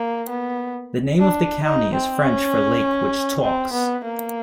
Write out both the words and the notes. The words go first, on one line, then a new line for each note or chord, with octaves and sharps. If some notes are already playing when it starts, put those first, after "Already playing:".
The name of the county is French for lake which talks.
Already playing: A#3
B3
D4
D#4
C4
C#4
C4
B3
A#3